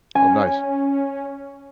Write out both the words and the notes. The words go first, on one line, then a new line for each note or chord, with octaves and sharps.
Oh, nice.
C#4 G#5